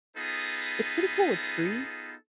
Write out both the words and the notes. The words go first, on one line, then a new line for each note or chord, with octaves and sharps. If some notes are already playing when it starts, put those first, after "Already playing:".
It's pretty cool, it's free,
B3 D#4 F4 G#4 A4 B4